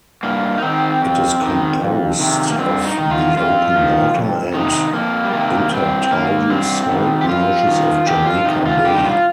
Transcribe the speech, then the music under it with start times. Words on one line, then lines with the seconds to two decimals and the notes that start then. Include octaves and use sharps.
It is composed of the open water and intertidal salt marshes of Jamaica Bay.
0.23 G2 A#3
0.58 D#4
0.62 D#3 C4
1.02 F2
1.41 D#3
1.80 F2
2.19 C3 D#3
2.51 A#3
2.58 G2 C4
2.85 D#4
2.98 D#3
3.11 F4
3.37 F2 F4
3.76 D#3
4.15 F2
4.54 C3 D#3 D#4
4.93 F2 A#3
5.24 G3
5.32 C3 D#3 A#3
5.72 G2 C4
6.11 D#3 A#3
6.50 G2 C4
6.89 D#3
7.21 G4
7.28 F2 F4
7.67 D#3
8.06 F2 G4
8.26 F4
8.46 C3 D#3 D#4
8.61 D#4
8.65 F4
8.85 G2 G4
8.95 D#4
9.04 F4